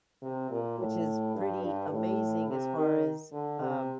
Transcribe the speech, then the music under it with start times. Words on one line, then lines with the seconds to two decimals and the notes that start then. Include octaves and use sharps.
Which is pretty amazing as far as, um,
0.22 C3
0.51 A#2
0.79 A2
1.36 G2
1.64 G2
1.91 A2
2.49 C3
2.77 D#3
3.33 D3
3.61 C3